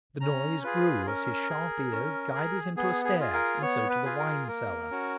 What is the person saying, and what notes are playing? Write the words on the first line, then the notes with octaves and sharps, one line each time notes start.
The noise grew as his sharp ears guided him to a stair and so to the wine cellar.
C#4 A#5
F4 G#4 B4
C#4 A#4
G#4
C#4
G#4
B3 G#4
G#4
F4 G#4
A#4
B3 C#5
B4
F4 G#4
A#4
A#3 A#4
C#4 F#4